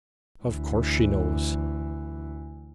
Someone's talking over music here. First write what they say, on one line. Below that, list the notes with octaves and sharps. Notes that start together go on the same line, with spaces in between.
'Of course she knows.
D2 E3